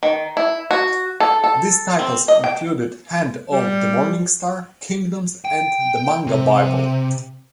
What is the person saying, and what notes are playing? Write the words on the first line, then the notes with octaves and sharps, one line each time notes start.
These titles included "Hand of the Morningstar", "Kingdoms", and "The Manga Bible".
D#3
E4
F#4
A4
A4
C4
D#5
G5
G3
G5
C3